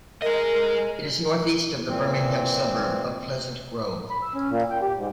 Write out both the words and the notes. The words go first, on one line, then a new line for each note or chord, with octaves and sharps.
It is northeast of the Birmingham suburb of Pleasant Grove.
G#4 A#4 D#5
A#2 E3 C4
B5
E6
C#4
A#2
G5
G4
G#2